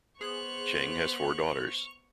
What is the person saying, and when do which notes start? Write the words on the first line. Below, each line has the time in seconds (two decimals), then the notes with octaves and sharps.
Cheng has four daughters.
0.21 B3 G#4 C5 C#6 F#6 F7